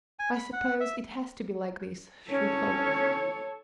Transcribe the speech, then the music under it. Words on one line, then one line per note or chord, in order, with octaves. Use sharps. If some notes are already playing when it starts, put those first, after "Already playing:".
"I suppose it has to be like this!" she thought.
G#5
B5
F#5
E5
C#4 A4 C#5